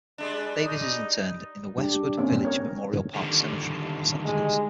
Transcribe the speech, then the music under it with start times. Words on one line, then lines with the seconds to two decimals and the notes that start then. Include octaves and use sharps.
Davis is interred in the Westwood Village Memorial Park Cemetery in Los Angeles.
0.18 G3 G#3 D4
0.62 D#4
1.78 G3 D4 G4
2.17 A#3 C4 C#4
2.45 A#4 C#5
3.14 D3 D#3 G3
4.25 G#3